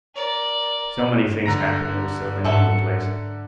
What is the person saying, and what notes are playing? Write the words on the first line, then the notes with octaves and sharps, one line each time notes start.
So many things happened--there were so many in the place.
A#4 D5
D3 A#5 A#6
G#2 F#4 A4 E5 C#7